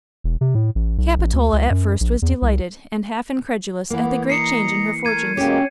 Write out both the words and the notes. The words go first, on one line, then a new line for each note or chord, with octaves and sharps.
Capitola at first was delighted and half incredulous at the great change in her fortunes.
E1
C3
A2
A1
B1
A1
D2
C#2
F#2
A#1
E2
C2
E3 A#3 B3
D#5 A#5 C7 C#7
C#7
A3 A#4 G#6 D#7
B2 G#3 A#3 C#4 G4 G5